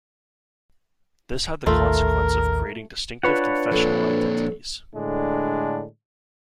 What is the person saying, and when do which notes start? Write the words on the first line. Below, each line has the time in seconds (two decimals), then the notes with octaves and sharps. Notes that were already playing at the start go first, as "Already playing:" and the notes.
This had the consequence of creating distinctive confessional identities.
1.67 A1 D#2 A3 F4 A#4
3.23 D4 F4 B4 C#5 F#5 B5
3.72 F2 A#2 A4
4.94 A2 D3 G#3 D4